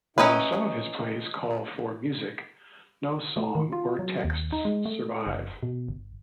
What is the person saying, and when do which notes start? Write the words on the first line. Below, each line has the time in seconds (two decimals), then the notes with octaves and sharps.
While some of his plays call for music, no songs or texts survive.
0.18 C#4 D#4 E4 B4
3.37 A3
3.55 D#3
3.72 F4
3.99 F#3
4.24 D#2
4.52 D#4
4.65 G#3
4.85 A3
5.27 F#1
5.63 B2
5.88 G1